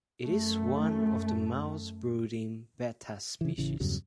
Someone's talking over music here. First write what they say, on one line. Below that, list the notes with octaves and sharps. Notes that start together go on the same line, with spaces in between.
It is one of the mouthbrooding "Betta" species.
F#2 A3
C#3 E3
A1 C#3 E3
E2 G2 C#3 F#3